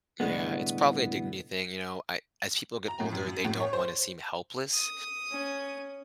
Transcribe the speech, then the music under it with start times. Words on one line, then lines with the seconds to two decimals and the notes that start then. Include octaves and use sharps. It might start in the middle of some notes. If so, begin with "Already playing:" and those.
Yeah. It's probably a dignity thing, you know? I as people get older, they don't wanna seem helpless.
0.20 C2 A2 D3 G#3 B3
2.88 A#5
3.00 A2
3.12 F#2
3.27 F#2
3.45 A2
3.60 C#5
3.73 C5
4.74 D#6
5.31 C#4